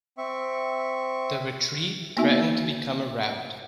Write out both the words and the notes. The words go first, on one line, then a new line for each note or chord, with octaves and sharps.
The retreat threatened to become a rout.
C4 E5 C#6
A#3 B3 D#4 F#4 E5 G#5